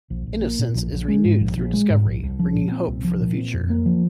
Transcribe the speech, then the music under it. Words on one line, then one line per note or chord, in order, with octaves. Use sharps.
Innocence is renewed through discovery, bringing hope for the future.
A#1
A#1
A#3
A#2
A#1
A#1
G#3
G#2
A#1
A#1
G#3
G#2
A#1
C2
F3
A#2
C4
C2
F3
A#2
C4
F2
A#3
F3